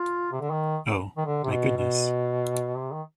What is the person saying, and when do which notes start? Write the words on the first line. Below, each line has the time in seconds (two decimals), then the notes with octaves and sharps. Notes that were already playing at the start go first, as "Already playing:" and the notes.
Oh, my goodness!
Already playing: F4
0.32 C3
0.41 D3
0.51 D#3
1.17 D#3
1.26 D3
1.44 C3
1.52 B2
1.77 B2
2.77 C3
2.92 D#3